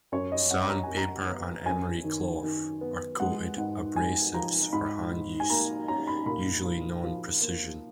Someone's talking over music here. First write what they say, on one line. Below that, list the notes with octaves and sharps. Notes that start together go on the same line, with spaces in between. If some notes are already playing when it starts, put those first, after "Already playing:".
Sandpaper and emery cloth are coated abrasives for hand use, usually non-precision.
F#2 C#5
D#5
F#2 F#5
A#5
G#5
F#2
A#5
B3
F#2 G#5
D#3
D#3
B3
G#3 F#5
G#2 F#5
G#3 G#5
F3 A#5
G#2 B5
G#2
G#5
A#3 A#5
C#4 A#5
B5
A#2 B5
F3
F3
A#3